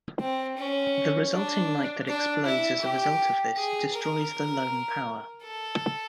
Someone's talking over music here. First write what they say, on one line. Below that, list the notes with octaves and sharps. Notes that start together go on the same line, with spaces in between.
The resulting light that explodes as a result of this destroys the Lone Power.
C4
C#4
D4
D4
E4
G4
G#4
A#4
A4